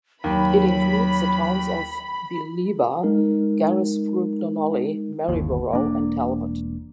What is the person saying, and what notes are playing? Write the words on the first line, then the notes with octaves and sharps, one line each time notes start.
It includes the towns of Bealiba, Carisbrook, Dunolly, Maryborough and Talbot.
D#2 F#3 B5
G#3 D#4 A#4
G1 D#2
E1 A#3 D4